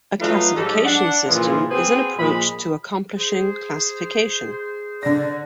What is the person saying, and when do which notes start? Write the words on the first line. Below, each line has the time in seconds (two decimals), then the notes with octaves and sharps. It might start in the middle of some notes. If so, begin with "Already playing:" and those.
A classification system is an approach to accomplishing classification.
0.21 F#3 A3 D#4 F4 B4
0.56 G#2 F#3 G#3 G4 A4
0.85 D4 F#5
1.28 A#2 C#3 E3 F3 E4 F4
1.70 C4 F#4 G#4 B4 C5
2.18 A#2 F3 G#3 B5
3.17 G#4 C5
5.03 D3 D5 A#6